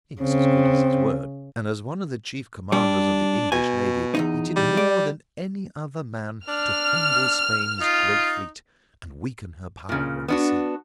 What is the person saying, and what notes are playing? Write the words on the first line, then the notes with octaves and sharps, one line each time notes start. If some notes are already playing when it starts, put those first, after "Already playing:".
He was as good as his word, and as one of the chief commanders of the English navy, he did more than any other man to humble Spain's great fleet and weaken her power on the sea.
C#3 C4
G3 D4
B2 G#5
E2 G2 D#4
G3
D5
D4 F6
D#4 F4
A#2 C#3
B3 D4 F#4